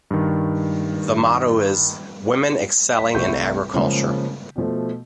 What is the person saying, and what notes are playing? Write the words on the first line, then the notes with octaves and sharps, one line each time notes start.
The motto is "Women Excelling in Agriculture".
G2 D#3
B6
C2 C3 A3 E5 C#6 G6
C#3 F3 G#3 A#3
B2 F3 A3